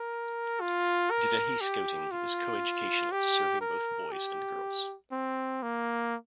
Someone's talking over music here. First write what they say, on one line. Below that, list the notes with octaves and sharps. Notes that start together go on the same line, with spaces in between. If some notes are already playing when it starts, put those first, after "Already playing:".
Divehi Scouting is coeducational, serving both boys and girls.
Already playing: A#4
F4
A#4
G4
F4
G4
A#4
G4
C4
A#3